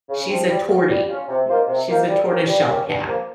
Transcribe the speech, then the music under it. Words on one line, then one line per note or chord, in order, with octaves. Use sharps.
she's a tortie, m she's a tortoiseshell cat,
C#3
F3 C4
G3
C#4 F4
G3
C#4 F4
C3
D#3 A#3 F4 C5
C3
D#3 A#3 F4 C5
G3
A#3 C#4 G4
G3
A#3 C#4 G4
G2
F3 A#3